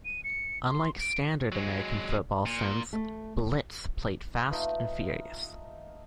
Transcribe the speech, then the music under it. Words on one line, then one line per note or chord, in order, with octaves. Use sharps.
Unlike standard American football sims, "Blitz" played fast and furious.
D#7
C#7
C6
D7
F#3 G#3
A#2
A3
A3 D#4 F4 B4